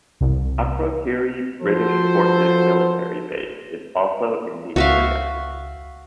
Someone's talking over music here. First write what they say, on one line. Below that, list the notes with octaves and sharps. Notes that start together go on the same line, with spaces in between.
Akrotiri British Forces Military Base is also in the area.
C2
F3 F#4 A4 C5
C#2 F#4 E5 F5